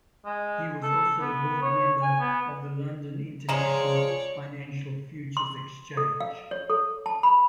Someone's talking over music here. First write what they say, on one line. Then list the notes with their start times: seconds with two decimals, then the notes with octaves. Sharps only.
He was also a board member of the London International Financial Futures Exchange.
0.25 G#3
0.83 A4
1.20 B3
1.62 C#5
2.02 G#5
2.20 B3
3.49 F3 G#3 C#5 D5 A#5 E7 F#7
5.37 C6
5.97 A4
6.20 F5
6.51 C#5
6.70 A4
7.06 A5
7.23 B5